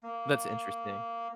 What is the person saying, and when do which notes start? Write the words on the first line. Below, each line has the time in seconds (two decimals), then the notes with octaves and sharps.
That's interesting.
0.03 A#3